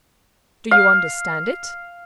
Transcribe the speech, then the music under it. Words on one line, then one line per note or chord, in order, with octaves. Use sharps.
"Do you understand it?"
F5